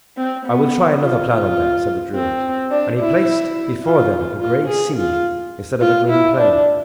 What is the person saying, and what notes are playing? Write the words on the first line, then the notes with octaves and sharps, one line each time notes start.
"I will try another plan on them," said the druid; and he placed before them a grey sea instead of a green plain.
C4
B3
F4
F4
C4
D4
E4
F4
F4
G#4
F4
F4
E4
D4